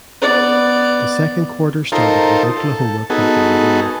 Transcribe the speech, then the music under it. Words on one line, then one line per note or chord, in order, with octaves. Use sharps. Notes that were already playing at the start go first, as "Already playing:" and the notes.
The second quarter started with Oklahoma punting the ball.
B3 D5
D#4 F4 A4 A#4 C5
A4
B3 D#4 F#4 G#4 A4